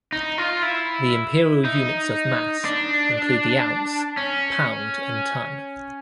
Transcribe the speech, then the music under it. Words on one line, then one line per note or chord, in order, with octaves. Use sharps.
The Imperial units of mass include the ounce, pound, and ton.
D#4
F4
E4
D#4
D4
C#4